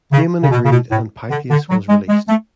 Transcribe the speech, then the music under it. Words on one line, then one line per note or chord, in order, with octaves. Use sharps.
Damon agreed, and Pythias was released.
C#3
C#3
B2
C#3
B2
A2
D3
D3
F#3
G#3
G#3
A3